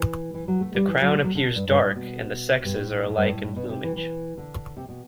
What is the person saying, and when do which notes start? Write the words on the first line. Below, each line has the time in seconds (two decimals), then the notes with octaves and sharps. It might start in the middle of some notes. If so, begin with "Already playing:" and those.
The crown appears dark and the sexes are alike in plumage.
Already playing: E3
0.34 E3
0.48 F#3
0.61 A3
0.75 G3
0.88 E3
1.01 F#3
1.15 A3
1.24 F#3
1.35 D3
1.55 G2
1.68 G2
1.82 A2
1.96 B2
2.64 G2
2.75 A2
3.09 A2
3.17 G2
3.26 B2
3.30 A2
3.43 A2
3.56 B2
3.69 C3
3.84 E3
3.96 E3
4.38 D3
4.77 C3
4.89 B2